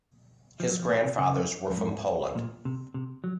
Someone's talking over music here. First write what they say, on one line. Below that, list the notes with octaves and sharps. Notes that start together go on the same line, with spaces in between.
His grandfathers were from Poland.
F3
F#3
F3
A#2
C3
C#3
F#2
G#2
A#2
C3
C3
F#3